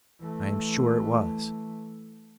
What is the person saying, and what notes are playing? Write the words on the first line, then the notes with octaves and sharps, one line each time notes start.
I am sure it was.
E3 A3